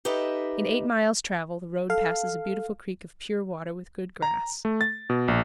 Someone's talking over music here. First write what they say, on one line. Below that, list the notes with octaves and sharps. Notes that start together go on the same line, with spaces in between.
In eight miles' travel the road passes a beautiful creek of pure water, with good grass.
D#4 G4 A4 B4 D#5 E5
A4 F5
A#5
A3
A6
B2
A#1